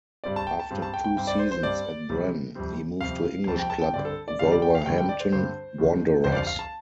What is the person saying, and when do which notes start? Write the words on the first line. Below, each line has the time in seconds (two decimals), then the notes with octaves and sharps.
After two seasons at Brann he moved to English club Wolverhampton Wanderers.
0.24 G2 G3 C4 D5
0.36 A5
0.47 G5
0.59 A5
0.70 G2 G3 C4
0.82 A5
0.94 G5
1.04 G5
1.16 G2 G3 C4 G5
1.27 D5
1.39 C5
1.51 C5
1.63 G2 G3 C4 D5
2.09 F2 C3 G3 C4
2.55 F2 C3 G3 C4
3.01 F2 C3 G3 C4 F5
3.47 F2 C3 G3 C4 A5
3.59 G5
3.70 A5
3.82 G5
3.93 G2 D3 G3 C4 D5
4.05 A4
4.28 D5
4.39 G2 D3 G3 C4 F5
4.52 D5
4.62 G5
4.75 F5
4.86 G2 D3 G3 C4 G5
4.98 G5
5.09 D5
5.20 C5
5.32 G2 D3 G3 C4 C5
5.78 F1 F2 D3
6.24 F1 F2 D3 C5
6.32 D5
6.36 F5
6.47 F5
6.59 A5